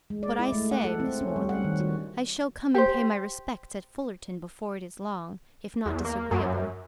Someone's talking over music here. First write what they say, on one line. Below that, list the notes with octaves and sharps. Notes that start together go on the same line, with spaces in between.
"But I say, Miss Morland, I shall come and pay my respects at Fullerton before it is long, if not disagreeable."
G#3
D5
E4
A3
F#5
A4
C4
C#4
G3
F#5
D#3
F#4
G4 C5
E2
A#3
F#2